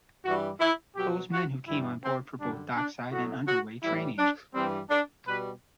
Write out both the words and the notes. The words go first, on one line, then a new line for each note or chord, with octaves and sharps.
Those men came on board for both dockside and underway training.
G2 E3 G3 F#4
E4
B2 F#3 G4
F#4
G2 E3 G3 E4
C4
F#2 D3 G3 D4
D4
A2 F#3 F#4
F#4
A2 E3 G3 E4
D4
G2 E3 G3 C4
D4
B2 G3 B4